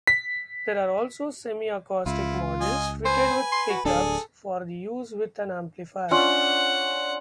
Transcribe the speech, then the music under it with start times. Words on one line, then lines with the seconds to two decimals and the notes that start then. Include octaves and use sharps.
There are also semi-acoustic models, fitted with pickups, for use with an amplifier.
0.07 B6
2.06 C#2 E4 F4
2.61 D#5 G#5
3.05 B4 C5 G#5
3.52 C6
3.70 F#4
3.85 D1 D4 G#4 A4
6.11 C#4 D4 F4 F#5